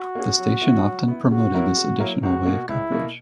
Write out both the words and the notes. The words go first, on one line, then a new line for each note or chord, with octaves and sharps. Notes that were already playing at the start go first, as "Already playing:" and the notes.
The station often promoted this additional way of coverage.
Already playing: F#4
A#3 C#4 G#4
F#3
B3 E4
F#3
B3 E4
C#3 F#4
F#3 A#3 E4 A#4
C#3
F#3 A#3 E4 A#4
C#2 F#4
B2 A#3
C#2 E4
B2 A#3